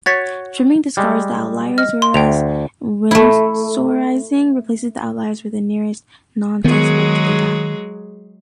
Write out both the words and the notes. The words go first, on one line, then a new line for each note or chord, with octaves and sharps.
Trimming discards the outliers whereas Winsorising replaces the outliers with the nearest "nonsuspect" data.
F#4 C#5 G#6 A6 B6
G3 G#3
D#5 F6
C6
D2 G5 F7
A3 E4
D#3 F#3 G#3 B3 G#4